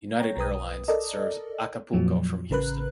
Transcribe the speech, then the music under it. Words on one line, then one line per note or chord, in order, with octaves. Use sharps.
United Airlines serves Acapulco from Houston.
C#5 G5 A#5
B1 B4 D#6
A4 A#4 D5 D#5
F2 A#2 F3 F#3
A1 C#3 A#4 B4 F#6